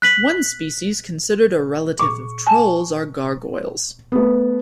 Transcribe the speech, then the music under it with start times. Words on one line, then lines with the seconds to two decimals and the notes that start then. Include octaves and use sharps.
One species considered a relative of trolls are gargoyles.
0.02 F#6 B6 F#7
1.99 A#2 C#6 D6
2.47 G#5 A5
4.12 A3 B3